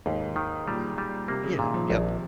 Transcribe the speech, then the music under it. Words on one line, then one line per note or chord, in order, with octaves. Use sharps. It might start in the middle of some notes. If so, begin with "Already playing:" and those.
Oh yeah, yeah, yep,
D#2 G#2
D#3
A#2 G3
G3
C3 A#3
C#3
A#2 D#3
F3
A#1 F3